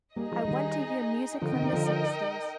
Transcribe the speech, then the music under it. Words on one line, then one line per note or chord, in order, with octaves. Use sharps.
I want to hear music from the sixties.
G3 A#3 D#4 G#4 D#5
F3 G#3
D#3 G3
D3 F3 D#4 A#4 D#5 G5
C3 D#3
C3 D#3
D3 F3